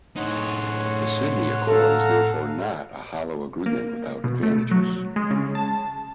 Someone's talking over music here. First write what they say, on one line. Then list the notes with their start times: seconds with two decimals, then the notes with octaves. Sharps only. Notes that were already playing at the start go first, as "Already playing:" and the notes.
The Sydney Accord is therefore not a hollow agreement without advantages.
0.16 A2 D#4 C#5 F#5 C6
1.67 A4 F5 F#5 A#5
3.66 A#3
4.24 B2
4.43 A3
4.71 F#3
5.16 G#3
5.31 C#3
5.55 A5